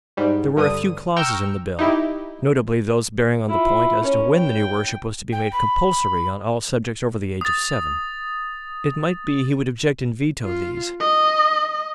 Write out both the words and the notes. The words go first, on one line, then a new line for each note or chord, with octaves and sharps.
There were a few clauses in the Bill--notably those bearing on the point as to when the new worship was to be made compulsory on all subjects over the age of seven--it might be he would object and veto these.
G#2 G3
G2 D3 D#6 D#7
G5 A#5 C#6 E6 F6 G6
D#4 E4 G4
E4 F4
C#4 A#4
G5
G5
B5
D#6 A6
F4
D#5